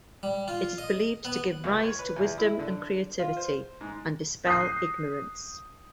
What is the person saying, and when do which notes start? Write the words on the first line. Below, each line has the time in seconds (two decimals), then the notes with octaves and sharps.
It is believed to give rise to wisdom and creativity, and dispel ignorance.
0.23 G3
0.48 F4
0.78 D#5
1.25 B3
1.64 C#2
1.82 C#5
1.99 B4
2.17 E2
2.38 E4
2.59 D3
3.19 F4
3.37 C5
3.81 G#2
4.47 D#6 F#6 G6 A#6 C7